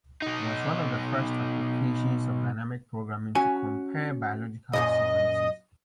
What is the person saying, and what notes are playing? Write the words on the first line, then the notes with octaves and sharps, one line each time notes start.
It was one of the first applications of dynamic programming to compare biological sequences.
B2 D#4
C#4 F#4 G#5
C2 F#2 A#2 D#5